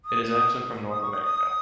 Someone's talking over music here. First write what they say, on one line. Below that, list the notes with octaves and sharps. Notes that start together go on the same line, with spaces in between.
It is absent from North America.
D#6
D#6
C#6
D#6
D#6